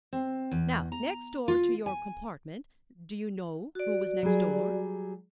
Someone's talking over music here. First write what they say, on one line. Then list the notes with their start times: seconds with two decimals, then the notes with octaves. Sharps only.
Now next door to your compartment--do you know who was next door?
0.13 C4
0.51 E2
0.92 A#5
1.48 F4
1.86 G#5
3.75 F#4 D5
4.23 F#3 G3 G#4